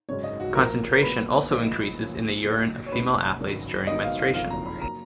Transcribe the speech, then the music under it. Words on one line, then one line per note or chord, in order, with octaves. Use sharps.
Concentration also increases in the urine of female athletes during menstruation.
G#1 F#2 C#3 G#3 C#5
D#5
F#4
A#2 F3 A#3 A#4
A#4
A#2 F#3 B3 B4
A#2 F3 G#3 D#4
A#2 F3 A#3 C#4 F4
A#2 F#3 A#3 D#4
C#5
F1 D#2 C#3 G#3 D#4 B4
G#1 F#2 D#3
G#2 D#3 F#3 B3 D#5
F5
F5
F#1 F2 F3 A#3 F5
A#5
B5
F#3 A#3 A#5